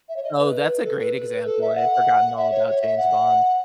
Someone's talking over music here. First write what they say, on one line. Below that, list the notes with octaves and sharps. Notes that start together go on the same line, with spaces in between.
Oh, that's a great example, I had forgotten all about James Bond.
E5
C#5
D#5
B4
A4
B4
B4
B4
A4
E5
F#5
E5
C#5
C#5
E5
F#5